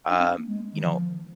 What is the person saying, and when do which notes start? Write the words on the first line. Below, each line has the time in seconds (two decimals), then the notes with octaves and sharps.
um, you know,
0.09 D4
0.19 C4
0.37 A#3
0.47 G#3
0.73 D#3
0.84 F3